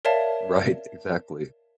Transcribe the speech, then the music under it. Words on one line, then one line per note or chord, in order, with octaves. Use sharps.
Right, exactly.
A#4 C#5 D5 E5 F5 A5